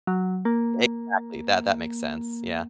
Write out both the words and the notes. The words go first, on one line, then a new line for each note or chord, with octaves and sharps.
Exactly, that that makes sense, yeah,
F#3
A#3